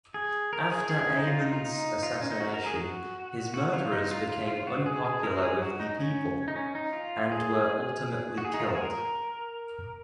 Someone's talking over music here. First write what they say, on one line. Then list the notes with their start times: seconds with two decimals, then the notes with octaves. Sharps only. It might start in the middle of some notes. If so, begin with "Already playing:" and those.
After Amon's assassination his murderers became unpopular with the people, and were ultimately killed.
0.14 G#4
0.53 A#4
0.72 G#4
0.89 G#4
1.07 C#4
1.17 D#4
1.27 F4
1.40 D#4
1.53 F4
1.66 D#4
2.03 F4
2.13 D#4
2.21 C#4
2.30 D#4
2.40 F#4
2.54 A#4
2.66 G#4
2.79 F#4
3.54 F#4
3.73 F4
3.92 D#4
4.04 D#4
4.11 F4
4.29 F4
4.48 F4
4.67 F#4
4.86 G#4
5.05 G#4
5.23 A#4
5.39 F#4
5.42 G#4
5.62 F#4
5.80 D#4
6.00 C#4
6.48 D#4
6.56 C#4
6.75 D#4
6.93 F4
7.32 G#4
8.38 F#4
8.45 G#4
8.54 D#4
8.60 F4
8.68 F#4
8.75 G#4
8.82 A#4